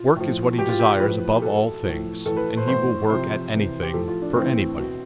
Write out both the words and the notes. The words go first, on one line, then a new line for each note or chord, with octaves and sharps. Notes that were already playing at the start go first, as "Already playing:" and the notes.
Work is what he desires above all things, and he will work at anything for anybody.
Already playing: F4
A2 F3
B2 G4
F4
G4
A2 F3 B4
G4
B2 A4
A2 F3
A2 E3 A4
B4
C5
A2 E3 C5
C3 F3 C5
C3 E3
G4
A2 F3 A4
F4
D4
A2 E3 C4
B2